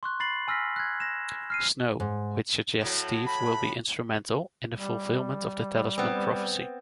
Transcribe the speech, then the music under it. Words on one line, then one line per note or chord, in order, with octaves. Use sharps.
Snow, which suggests Steve will be instrumental in the fulfilment of the Talisman Prophecy.
C6 C#6 F#6
B5 A6 C7 F#7
G#5 E6 F6 A#6 B6
F#6 G#6
A#6 E7
F6 C7 D#7
G#2
A2 F#3
B5
G3
B3 C4